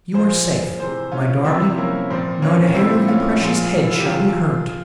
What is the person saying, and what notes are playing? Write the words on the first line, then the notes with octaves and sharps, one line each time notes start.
'You are safe, my darling; not a hair of your precious head shall be hurt.
A#2 F3 G#4 C5
C3 E3 G#4 C5
C#4 F4
C3 F3 C4 E4
A#3 C#4
A#2 F3 C4
A#3 C#4
A#2 F3 C4 E4
C#4 F4
A#2 F3 F4 G#4
E4
F4
G4
C3 F3 F4 G#4